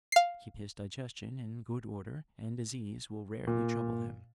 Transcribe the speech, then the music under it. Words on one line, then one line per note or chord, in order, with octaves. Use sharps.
Keep his digestion in good order, and disease will rarely trouble him.
F5 C7
A#2